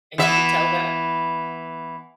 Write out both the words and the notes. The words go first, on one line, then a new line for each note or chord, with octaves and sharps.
and you could tell that?
E3 B3 E5